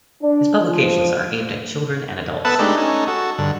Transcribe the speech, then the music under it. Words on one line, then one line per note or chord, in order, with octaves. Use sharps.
His publications are aimed at children and adults.
D4
F3
B3 A4 B4 E5 F#5 A5
G#3 A3 D4 D#4 G4
C#4 D#4 A4
F#4 A4
G2 D3